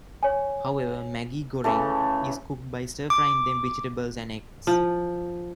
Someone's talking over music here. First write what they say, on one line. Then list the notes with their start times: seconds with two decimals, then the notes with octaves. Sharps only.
However, "Maggi goreng" is cooked by stir-frying them with vegetables and eggs.
0.23 C#5 G#5
1.64 C#3 E3 A3
3.10 D6
4.67 F3